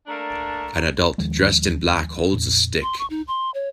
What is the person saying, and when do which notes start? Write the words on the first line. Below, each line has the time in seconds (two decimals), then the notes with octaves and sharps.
An adult dressed in black holds a stick.
0.07 A3 A#3 D4 A#5
1.18 D#2 D#3 F3 G#3
2.33 F2 A#2
2.82 C6
2.99 C#6
3.10 D#4
3.28 C6
3.54 C#5